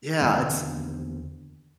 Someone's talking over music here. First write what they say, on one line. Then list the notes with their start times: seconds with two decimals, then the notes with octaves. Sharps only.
Yeah, it's
0.21 E2 D3 D#3 A#3